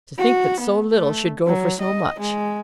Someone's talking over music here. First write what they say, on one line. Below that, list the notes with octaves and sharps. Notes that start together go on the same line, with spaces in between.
'To think that so little should go for so much!
F#4
B3
A3
F#3
D#5
G#3